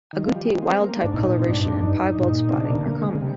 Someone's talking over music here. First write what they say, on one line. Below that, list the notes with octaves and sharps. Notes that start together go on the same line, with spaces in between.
Agouti "wild type" coloration and piebald spotting are common.
D#3
F3
G3
G#3
C4
A#3
D4
G#2
A#2 D#4
C4
G#2 D4
G2
F2
G2
G2 D#4
A#2
C4
C3 D4
C3 A#3
D3
A#3
G#3
D3
C3 G3